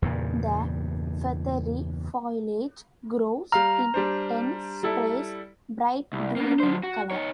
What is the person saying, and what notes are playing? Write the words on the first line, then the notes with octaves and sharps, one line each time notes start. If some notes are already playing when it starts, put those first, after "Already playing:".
The feathery foliage grows in dense sprays, bright green in color.
E2 G2 A#2 C#3
G3 F5 A#5 F6
G3 D4 C5
G3 E4 A4
C2
A#3 B3
F#3 C5
F#4
D#4 C#5